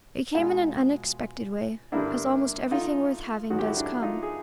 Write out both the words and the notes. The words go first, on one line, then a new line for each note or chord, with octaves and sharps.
It came in an unexpected way, as almost everything worth having does come.
B2 G#3 D#4 F4
G2 D3 G3 A#3 D4 E4
D#4 F4
G#2 D#3 F#3 F#4
G4
E4 F#4
D4 E4
D#4 F4
G#4